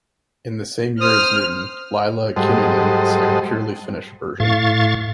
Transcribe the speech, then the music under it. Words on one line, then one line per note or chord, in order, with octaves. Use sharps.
In the same year as Newton, Laila Kinnunen sang a purely Finnish version.
C5 D#6 F6
G#2 F#3 G3 A4 C5 D#5
A2 F5 C#6 A6